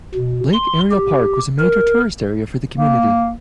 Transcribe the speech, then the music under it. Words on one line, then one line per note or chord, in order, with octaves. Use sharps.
Lake Ariel Park was a major tourist area for the community.
B2
C6
G4
A#4
A#3